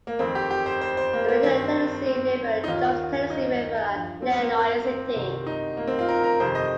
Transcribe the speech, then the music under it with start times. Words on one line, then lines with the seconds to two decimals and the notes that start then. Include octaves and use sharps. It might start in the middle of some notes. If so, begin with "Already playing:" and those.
The Little Tennessee River joins the Tennessee River at Lenoir City.
0.07 A#3
0.19 F2 D#3 C4
0.35 G4
0.51 G4
0.66 C5
0.81 C5
0.97 C5
1.13 A#3
1.28 A#3
1.43 G2 D#3 C4
2.06 C4
2.64 D#4
2.68 D#2 D#3 F4
3.30 D#4
3.91 G2 F3
4.22 C4
4.39 A#3
4.84 C4
5.16 C2 C3 D#3
5.46 D#4
5.77 A#3
5.87 C4
5.99 F4
6.09 A#4
6.24 A#4
6.40 F2 C3 D#3 C5
6.55 D#5